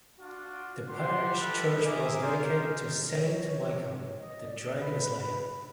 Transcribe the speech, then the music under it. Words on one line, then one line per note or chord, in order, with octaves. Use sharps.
The parish church was dedicated to Saint Michael, the dragon slayer.
D4 F4 F#4
D4 G4 F#5 C6
G3 A4 B4
G#4 A#4 E5 G#5 D6
C#4 F4 G#4 A#4 C5
C#5
D#5
D5
B4
B5